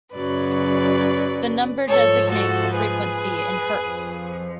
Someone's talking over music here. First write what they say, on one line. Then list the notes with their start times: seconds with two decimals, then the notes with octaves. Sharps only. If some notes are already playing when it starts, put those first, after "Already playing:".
The number designates the frequency in hertz.
0.14 F#2 C#3 F#3 B4 D5
1.88 G#2 F3 A4 C#5
2.32 F#4 A4
2.76 G#4 B4
3.64 F2 F3